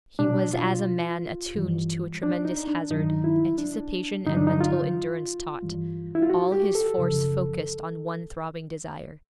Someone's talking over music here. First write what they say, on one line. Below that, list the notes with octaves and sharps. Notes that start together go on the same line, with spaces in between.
He was as a man attuned to a tremendous hazard, anticipation and mental endurance taut, all his force focused on one throbbing desire.
B2 G3 D4
F4
G2 E3 G3
D4
D#4
D4
G2 D#3 F#3 D#4
E4
D4
G2 D3 F#3 D#4
D4
D#4
F4
G2 E3 G3
E4
F4
F#4
G4
A4
F#2 C#3 F3